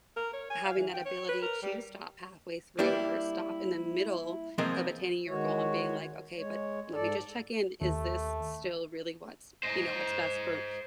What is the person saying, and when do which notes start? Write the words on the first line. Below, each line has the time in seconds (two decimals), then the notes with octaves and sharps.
having that ability to stop halfway through or stop in the middle of attaining your goal and being like, "Okay, but let me just check in, is this still really what's, you know, what's best for
0.17 A#4
0.33 C#5
0.50 G#5
0.65 F5
0.77 E3
0.93 G5
1.05 C#5
1.29 B4
1.42 A#4
1.63 G3
2.79 G3 A#3 D4 E4 G4
4.58 E3 F3 G#3 A#3 C4 A#4
5.28 D#3 G#3 F#4 C#5
6.37 G#3 C#5
6.93 G#2 A4 D5
7.81 D#2 A3
9.63 C5 D#5